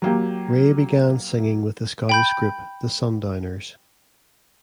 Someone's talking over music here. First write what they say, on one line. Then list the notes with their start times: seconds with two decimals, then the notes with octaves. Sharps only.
Ray began singing with the Scottish Group the Sundowners.
0.02 F#3 A#3 G4
2.09 G5 B5 G6